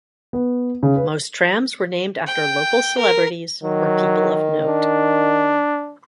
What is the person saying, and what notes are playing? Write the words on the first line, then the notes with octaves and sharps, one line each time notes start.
Most trams were named after local celebrities or people of note.
B3
C#3
B4
G5
A#4
D#3 F#3
D4